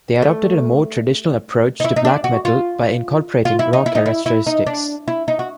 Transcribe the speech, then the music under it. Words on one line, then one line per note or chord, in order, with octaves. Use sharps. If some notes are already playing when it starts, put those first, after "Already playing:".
They adopted a more traditional approach to black metal by incorporating raw characteristics.
A3
D#4
E4
D#4
D4
F#4
F4
F4
E4
D#4
E4
D#4
E4
E4
D#4
D4
E4
D#4
F#4